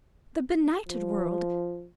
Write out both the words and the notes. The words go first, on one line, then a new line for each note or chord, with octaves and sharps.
The benighted world!
F3